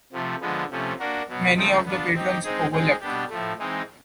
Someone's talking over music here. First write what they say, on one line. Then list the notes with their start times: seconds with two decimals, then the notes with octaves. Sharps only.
Many of the patrons overlapped.
0.13 C3 F3 A3
0.41 D3 F3 G#3 B3
0.70 C3 F3 A3 C#4
1.00 A#3 D4 F#4 A#4
1.28 B2 F#3 B3
1.57 C#3 F3 A3 C4 D#4
1.86 B3 D4 F4
2.14 C4 D#4 G4
2.44 G#3 C4 D#4 G#4
2.72 G#3 C4 D#4 G#4
3.01 B2 G3 B3 D4 G4
3.30 A2 F3 A3
3.58 E3 G#3 C4 D#4